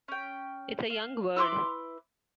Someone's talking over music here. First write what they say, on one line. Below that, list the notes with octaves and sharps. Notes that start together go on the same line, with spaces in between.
It's a young word.
C#4 G5
F5
E4 B4 C6 D6